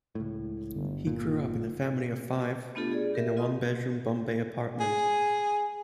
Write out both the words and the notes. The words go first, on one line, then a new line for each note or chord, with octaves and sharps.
He grew up in a family of five, in a one bedroom Bombay apartment.
C#2 A2
G1
A#2
A3 B3 D4 F4 G4 A4
G#4 D5
G4 A#4 E5
F4 D#5 C6 D#6
G#4